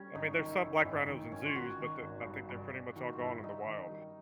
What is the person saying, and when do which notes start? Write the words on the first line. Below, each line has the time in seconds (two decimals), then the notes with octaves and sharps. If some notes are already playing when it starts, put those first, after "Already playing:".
I mean, there's some black rhinos in zoos, but the I think they're pretty much all gone in the wild.
Already playing: G3 C#4
0.15 G#1 D#4
0.39 D#3
0.51 E4
0.62 F#2
0.79 E4
0.85 G#1 D#4
1.09 D#3
1.32 G#1 C#4
1.46 F4
1.55 D#3 F#4
1.79 D#3
2.03 G#1
2.26 G2
2.49 G2
2.73 G2
2.96 D#3 F#4
3.13 F4
3.19 G2 E4
3.43 G2 D#4
3.66 D#3
3.90 G3